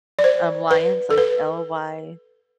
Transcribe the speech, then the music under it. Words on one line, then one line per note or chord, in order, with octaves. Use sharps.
um, Lyons, like L-Y
D5
C5
B4
A4
B4